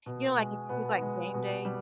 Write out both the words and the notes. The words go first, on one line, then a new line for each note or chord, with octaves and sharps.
you know, like, if it's, like, game day.
B2
G#3
B2 B3
G#3
B2
G3